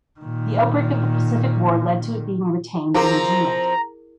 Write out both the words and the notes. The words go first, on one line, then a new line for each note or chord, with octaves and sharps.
The outbreak of the Pacific War led to it being retained in New Zealand.
A#2 D#3
F3 C4 E4 G#4 A#4 A#5